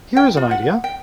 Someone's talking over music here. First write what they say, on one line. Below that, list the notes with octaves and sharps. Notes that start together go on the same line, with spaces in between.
Here is an idea!
G5
F4
F#5
G5